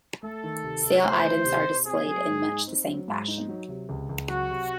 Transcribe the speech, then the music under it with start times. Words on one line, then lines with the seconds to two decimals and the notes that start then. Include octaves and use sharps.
Sale items are displayed in much the same fashion.
0.23 A3 A4
0.44 D#3
0.64 C3
0.84 C3
1.04 A3 C5
1.25 D#3
1.45 C3
1.66 C3
1.85 C4 G#4
2.06 F#3
2.27 G#2
2.46 D#4
2.67 C4
2.87 F#3
3.08 G#2
3.28 D#4
3.49 F#3
3.69 C3
3.89 C#2
4.09 C#2
4.29 F#3 F#4
4.50 C3